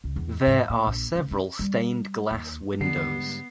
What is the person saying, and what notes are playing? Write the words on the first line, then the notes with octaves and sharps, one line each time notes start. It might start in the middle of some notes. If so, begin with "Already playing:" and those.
There are several stained glass windows.
C#2
E2
G#2
A#2
A#1
C#2
C#4
G3
D#2
G#2 D3 G3 B3 C7